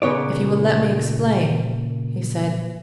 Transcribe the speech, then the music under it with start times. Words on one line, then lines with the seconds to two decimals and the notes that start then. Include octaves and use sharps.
"If you will let me explain," he said.
0.02 A#2 C#3 B3 C#5 D5